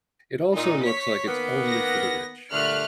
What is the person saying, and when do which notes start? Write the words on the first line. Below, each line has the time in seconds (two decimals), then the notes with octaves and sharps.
it also looks like it's only for the rich.
0.55 A#2 D#4
0.85 C#5 B6
1.26 D#3 A#3 B3
1.66 A#6
2.52 G2 A#2 D3 A3 F6 F#6